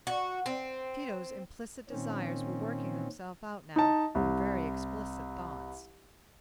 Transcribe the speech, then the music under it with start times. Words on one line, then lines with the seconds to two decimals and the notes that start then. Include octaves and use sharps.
Tito's implicit desires were working themselves out now in very explicit thoughts.
0.07 F#4
0.46 C4
1.90 A#2 D#3 C4 C#4
3.76 D#4 A5
4.15 C2